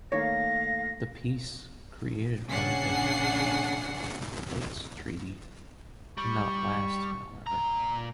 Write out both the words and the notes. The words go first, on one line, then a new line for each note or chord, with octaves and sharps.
The peace created by the Bates Treaty did not last, however.
D#3 A3 A#3 C#5 F5 A#6
A#1 C#3 D4 F#5 G#5 C7
G3 C#6
A#2 A#5